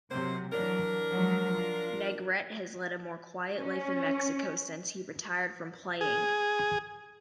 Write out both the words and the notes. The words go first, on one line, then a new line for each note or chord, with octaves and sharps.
Negrete has led a more quiet life in Mexico since he retired from playing.
C3 F#3 A#3 C4 C5
E3 F#3 D4 A#4
F3 F#3 G#3
F4
C#4
G#4